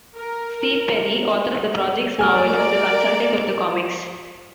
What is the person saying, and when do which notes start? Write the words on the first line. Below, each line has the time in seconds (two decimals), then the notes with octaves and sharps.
Steve Perry, author of the project's novel, was a consultant of the comics.
0.16 A#4
2.19 A#4 D5 G#5 F6